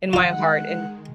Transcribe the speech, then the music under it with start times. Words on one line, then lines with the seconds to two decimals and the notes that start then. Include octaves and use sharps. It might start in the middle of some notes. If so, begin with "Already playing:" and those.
in my heart and
0.13 D#3 G#3 F4 F5 F#5